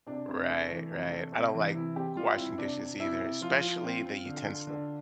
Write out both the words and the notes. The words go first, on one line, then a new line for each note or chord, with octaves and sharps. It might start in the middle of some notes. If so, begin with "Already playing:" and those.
Right, right. I don't like washing dishes either, especially the utensil.
C3 D4
C3
A3
E3
C3
A3
C3
E3
C3 E4
C4 G4
G3 F4
C4 E4
C3 D4
C3
C3 E4
C3
F3 F4
F3
C4
C4
D3
D3
D3